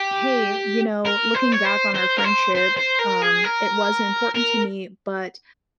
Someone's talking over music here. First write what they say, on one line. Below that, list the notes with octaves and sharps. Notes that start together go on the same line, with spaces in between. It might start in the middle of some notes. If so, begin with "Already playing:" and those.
"Hey, you know, looking back on our friendship, um, it was important to me but
Already playing: G4
A#4
C5
C#5
C5
C5
A#4
C5
C5
C5
A#4
G#4
A#4
A#4